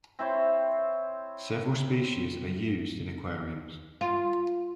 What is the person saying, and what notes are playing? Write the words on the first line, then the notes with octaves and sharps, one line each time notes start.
Several species are used in aquariums.
C4 E4 C5 C#5
F4